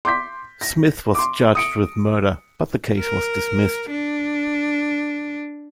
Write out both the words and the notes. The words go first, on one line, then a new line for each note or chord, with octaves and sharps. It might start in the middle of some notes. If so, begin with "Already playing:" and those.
Smith was charged with murder, but the case was dismissed.
C6 D6 G6 B6
A#6
C6 D6
D#6 C#7 D7
A#4
D4